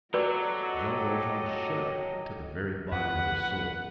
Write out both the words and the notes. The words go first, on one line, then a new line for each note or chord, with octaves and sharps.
Jean Valjean shuddered to the very bottom of his soul.
F#3 F#4 G4 A4 B4 D5 D#5
F2 B4 F#5